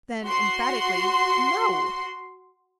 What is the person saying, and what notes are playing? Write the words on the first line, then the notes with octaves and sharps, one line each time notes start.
Then, emphatically, "No!"
F#4 C6